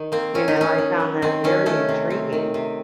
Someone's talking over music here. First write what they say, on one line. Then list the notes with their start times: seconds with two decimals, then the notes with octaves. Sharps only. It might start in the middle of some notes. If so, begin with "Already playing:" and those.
You know, I found that very intriguing.
Already playing: D#3
0.12 A#3 C4
0.34 A#3 C#4
0.48 D#4
0.56 D#3 C#4
0.78 D#3
1.00 F#3
1.22 D#3 C4
1.44 D#3 C#4
1.66 A3 C#4
1.89 C3
2.10 C4
2.33 D#3
2.54 C3